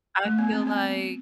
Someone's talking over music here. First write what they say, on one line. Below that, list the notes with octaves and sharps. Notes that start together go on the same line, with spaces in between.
I feel like
A3
B3
C4
B3